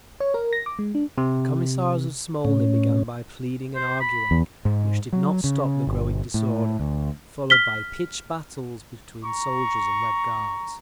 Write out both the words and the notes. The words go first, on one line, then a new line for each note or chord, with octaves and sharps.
The Commissars of Smolny began by pleading and arguing, which did not stop the growing disorder, followed by pitched battles between soldiers and Red Guards....
C#5
A#4
A#6
D6
G#3
D4
C3
A2 C#4
C5
B5
E2
G#2
F#3
C#3
G1
A2
D2
F6 B6 G7
A#5 C#6